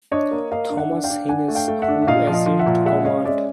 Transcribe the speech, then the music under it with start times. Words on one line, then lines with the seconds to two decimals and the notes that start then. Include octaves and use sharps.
Thomas Hines, who assumed command.
0.12 D4 C#5 D#5
0.31 A#3
0.51 A#3 D#5 F5
0.70 D4
0.77 E5 F#5
0.91 D4
1.04 F5 G5
1.10 D4
1.29 D4 F#5 G#5
1.48 A3
1.55 F5 G5
1.68 A3
1.82 E5 F#5
1.88 D4
2.02 E5
2.07 A#2 D#5 F5
2.27 F3
2.33 D#5 F5
2.46 F3
2.59 E5 F#5
2.66 A#2
2.86 G#3 E5 F#5
3.05 C#4 D#5 F5
3.25 G#3 D5 E5